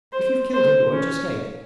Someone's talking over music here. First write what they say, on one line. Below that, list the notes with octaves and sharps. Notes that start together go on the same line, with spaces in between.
If you've killed him he won't escape.
C5
C5
C#4